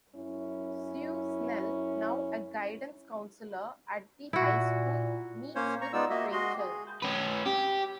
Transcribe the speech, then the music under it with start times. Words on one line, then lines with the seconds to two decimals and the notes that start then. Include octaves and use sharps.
Sue Snell, now a guidance counselor at the high school, meets with Rachel.
0.14 F#2 C#4 E4
4.33 A#2 E4 F#4
5.55 A#3 C#4 C5 C#5
5.81 A#5 C#6
5.93 G#3 B3 D#4 F4 D5 E6
6.10 A#3 F#4 D#5 E5
6.32 G#3 F#4 D#5 C6
6.58 G#4
7.02 C#4 B4
7.46 G4